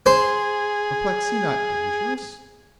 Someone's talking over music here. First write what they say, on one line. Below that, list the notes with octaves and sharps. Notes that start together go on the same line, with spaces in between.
"Apoplexy not dangerous?"
G#4 C5